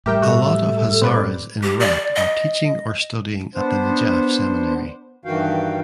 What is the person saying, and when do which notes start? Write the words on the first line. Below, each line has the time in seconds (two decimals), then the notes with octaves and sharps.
A lot of Hazaras in Iraq are teaching or studying at the Najaf Seminary.
0.06 A2 G3 G4 A#4 E5 G5
0.22 F#4 A4
1.01 C4 B4 D5
1.63 G4
1.80 D5
2.16 D#5
3.55 B3 D4 C5
5.25 G2 D#3 E3 F#4 F5 G5